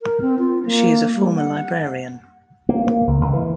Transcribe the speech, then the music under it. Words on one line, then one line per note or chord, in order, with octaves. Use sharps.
She is a former librarian.
A#4
C4
F4
A#3
G3
F#5
A#3
A#3
C#2
C#2
E3